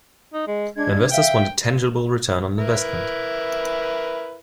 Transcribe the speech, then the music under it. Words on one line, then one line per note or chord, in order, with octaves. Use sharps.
Investors want a tangible return on investment.
D#4
G#3
G#3 D4 G#6
E5 F5 G5
E4 A#4 B4